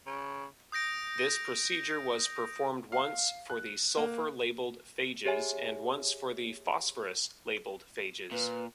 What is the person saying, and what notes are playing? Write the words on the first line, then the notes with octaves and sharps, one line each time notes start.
This procedure was performed once for the sulfur-labeled phages and once for phosphorus-labeled phages.
C#3
D#6 G6 A#6 D7
F5
F#6
A#3
G4 G#4 C#5 E5 G#5
A#2 B4